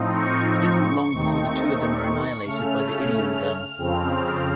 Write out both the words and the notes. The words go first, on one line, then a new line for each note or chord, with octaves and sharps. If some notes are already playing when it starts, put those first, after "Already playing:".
It isn't long before the two of them are annihilated by the Ideon Gun.
Already playing: A2 F3 C4 D#4
C#6
C#6
C#6
D#2 D#3 A3 C4 D#4
C#3 A3 C#4 F6
F2 C#3 F3 C4